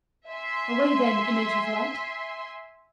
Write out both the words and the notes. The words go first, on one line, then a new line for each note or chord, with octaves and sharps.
Away, then, image of light!
E5 G#5 C6